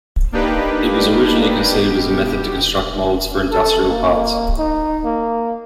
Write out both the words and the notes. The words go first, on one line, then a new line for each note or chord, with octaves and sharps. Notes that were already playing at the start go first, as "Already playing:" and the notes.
It was originally conceived as a method to construct molds for industrial parts.
A#3 D4 D#4 G4 B4
B2 G4
A4
A#3
D#4
A#3